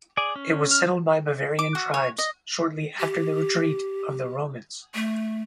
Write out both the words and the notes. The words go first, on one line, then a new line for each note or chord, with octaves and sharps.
It was settled by Bavarian tribes shortly after the retreat of the Romans.
G#4 D5
C#4
F6
D6
F#4
C#5
D#5
G4
A3